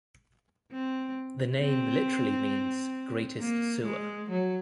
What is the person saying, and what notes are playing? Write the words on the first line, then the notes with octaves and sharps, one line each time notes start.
The name literally means "Greatest Sewer".
C4
C4
A#3
G#3
F#3